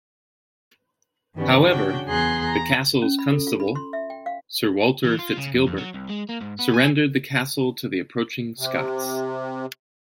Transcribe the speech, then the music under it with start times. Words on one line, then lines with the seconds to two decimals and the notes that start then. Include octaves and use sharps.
However, the castle's constable, Sir Walter FitzGilbert, surrendered the castle to the approaching Scots.
1.34 G2 D#3 E3 G3 B3 C#4
1.68 C#3 D4 F#4 G5
2.07 E2 B3 G#4 A#5 C6 F#6
2.44 A#5
3.02 C#4
3.19 B5
3.31 A4
3.47 F4
3.60 B5
3.75 C6
3.93 E5
4.10 G5
4.26 F5
5.04 E3
5.19 F4
5.38 C#3
5.54 F2
5.67 F2
5.78 F#3
5.95 C2
6.10 G#3
6.29 A#3
6.41 G#2
6.59 B3
6.74 G#5
8.59 C3